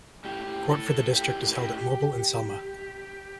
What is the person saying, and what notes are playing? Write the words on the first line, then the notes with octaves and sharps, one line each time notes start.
Court for the District is held at Mobile and Selma.
A2 G4
A2
A2 A4
A2
A2 G4
A2
A2